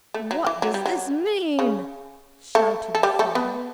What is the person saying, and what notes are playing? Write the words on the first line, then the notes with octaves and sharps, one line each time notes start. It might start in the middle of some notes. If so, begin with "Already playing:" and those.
"What does this mean?" shouted the father.
A3
F#3
E3
F#3
G3
F#3
C#3 C#4
A3 A4
A4
G3 G4
A3 A4
B3 B4